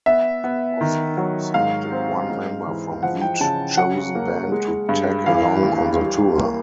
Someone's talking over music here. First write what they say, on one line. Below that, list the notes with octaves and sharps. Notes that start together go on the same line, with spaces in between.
Ozzy selected one member from each chosen band to "tag along" on the tour.
B3 E5
B3
D#3
F#3
G#2 F5
C4
G#2
E3
F3 F#5
G5
C#3 A5
F#3 F#5
A#3
G#3
G2
E3 F5
D#2
G3
A#3